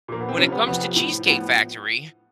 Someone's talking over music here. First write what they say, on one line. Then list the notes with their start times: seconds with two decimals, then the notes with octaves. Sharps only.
when it comes to Cheesecake Factory,
0.08 A#2 F3 A#3
0.21 B3
0.29 C4
0.38 F2 C3 F3 C#4
0.52 B3
0.67 F2 C3 F3 B3
0.96 A2 F3
1.26 A2 F3 B3